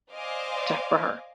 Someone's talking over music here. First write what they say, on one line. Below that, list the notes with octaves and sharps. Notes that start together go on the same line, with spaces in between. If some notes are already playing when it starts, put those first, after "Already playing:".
to for her.
C5 D5 D#5 F5 G#5 D6